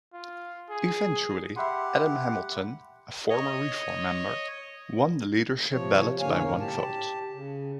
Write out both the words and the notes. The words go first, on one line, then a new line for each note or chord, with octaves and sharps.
Eventually, Adam Hamilton, a former Reform member, won the leadership ballot by one vote.
F4
G#4
G4 E5 F#5 B5 C6
C#5 D#5
C3 F3 C#5
A2 D3 A#3 C#5 F5 G#5
G#2 B2 A#4 C#5
G4 A5
C#3